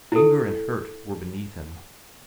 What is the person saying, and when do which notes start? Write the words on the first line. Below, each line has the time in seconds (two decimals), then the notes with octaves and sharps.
Anger and hurt were beneath him.
0.12 E4 A4